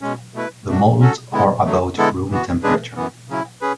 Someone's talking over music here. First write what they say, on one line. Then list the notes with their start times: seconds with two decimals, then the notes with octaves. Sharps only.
The moulds are about room temperature.
0.01 B2 G#3 C#4
0.34 B2 A3 E4 B4
0.67 B2 A3 D4 F#4
1.00 F#3 C#4 F#4 A4
1.32 D3 G#3 B3 E4
1.65 D3 F#3 A3
1.98 D3 G#3 B3 E4 A4
2.30 E3 B3 F#4
2.63 C#3 G#3 D4 G#4 B4
2.96 F#2 E3 B3
3.29 C#3 F#3 C#4 E4
3.61 C#4 G#4 B4